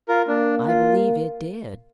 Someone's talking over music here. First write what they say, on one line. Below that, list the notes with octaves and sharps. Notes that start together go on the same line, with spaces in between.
"I believe it did."
F4 A#4
A#3 D4
F4